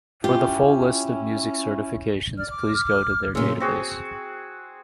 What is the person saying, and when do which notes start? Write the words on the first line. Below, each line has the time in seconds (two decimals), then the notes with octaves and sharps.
For the full list of music certifications, please go to their database.
0.24 C#4 E4 F4 G4
2.38 D5 F6
2.50 D6
3.35 A#2 C#3 C6 E6
3.60 C4 F#4 G#4